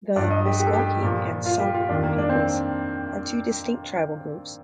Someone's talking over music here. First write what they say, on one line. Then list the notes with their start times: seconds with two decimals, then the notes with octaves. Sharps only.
The Meskwaki and Sauk peoples are two distinct tribal groups.
0.16 G2 F3 D5
0.31 D#5
0.45 G4
0.60 G4
0.67 A4
0.73 G4
1.03 A#2 F3
1.46 F4
1.60 G4
1.74 F4
1.89 F2 D#3 D4
2.03 A#3
2.18 D4
2.29 C4